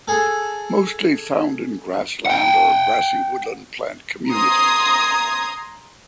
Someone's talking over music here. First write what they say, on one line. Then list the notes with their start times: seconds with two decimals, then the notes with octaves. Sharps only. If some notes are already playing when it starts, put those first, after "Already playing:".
Mostly found in grassland or grassy woodland plant communities.
0.08 G#4 A4
2.26 F#5 G5
4.29 A#5 C6 D#6 G#6